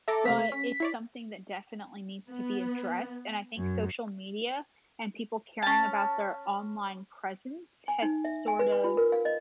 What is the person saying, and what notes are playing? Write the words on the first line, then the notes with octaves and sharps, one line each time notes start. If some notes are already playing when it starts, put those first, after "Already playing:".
but it's something that definitely needs to be addressed, and I think social media and people caring about their online presence has sort of
A4 E5 A#5 D6
C3 A3 C4 B6
A3
C#4
E4 C#5 D5
B3
F#2
C#4 A5
G#5
D#4
E5
G#5
B4
B4
F4
A#4
F5
D#5